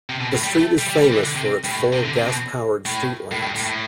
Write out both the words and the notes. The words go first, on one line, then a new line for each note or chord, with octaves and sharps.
The street is famous for its four gas-powered street lamps.
C3
B2
A2
G3
A3
G3
G3
G3
E3
D3
C3
G2
A2
C3
D3
C3
B2
A2
A2
G2
A2
A2